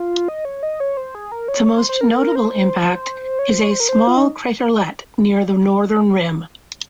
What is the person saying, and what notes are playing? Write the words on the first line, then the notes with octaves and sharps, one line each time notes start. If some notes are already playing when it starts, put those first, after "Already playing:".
The most notable impact is a small craterlet near the northern rim.
Already playing: F4
D#5
C#5
D#5
C#5
C5
G#4
A#4
C#5
C#5
C5
C5
A#4
A#4
C5
C#5
C5
C#5
C5
A#4
C5
F4
D#4